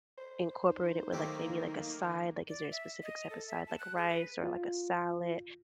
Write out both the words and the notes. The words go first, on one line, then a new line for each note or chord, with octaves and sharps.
incorporated with, like, maybe, like, a side? Like, is there a specific type of side like rice or, like, a salad?
C5
D#4
D#3 F#3 A3 A#3 G4
D5
E5
D#5
A4
E5
A5
F#6
G#4
B4
F4